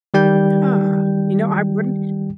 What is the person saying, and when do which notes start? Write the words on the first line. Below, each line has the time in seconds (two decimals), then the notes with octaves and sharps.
Huh, you know, I wouldn't
0.14 D#3 G3 G5 G6